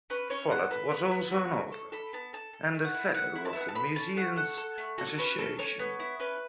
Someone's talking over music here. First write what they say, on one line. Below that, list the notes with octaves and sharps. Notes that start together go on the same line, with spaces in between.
Follett was also an author and a Fellow of the Museums Association.
C#4 B4
C#4 C#5
A4 F#5
A4 B4
B3
B3
F#4 C#6
A3
A4
A4 B5
B3 A5
A4 A5
A4
A3
F#5
E4
E4 F#5
E4
A5
E5
B3
F#5
A5
A4 B5
C#4 A5
A3 F#5
A4 F#5
A4
A3
F#4 A4
C#4 B4
C#4 A4
A4 C#5
B3
E4
C#4 B4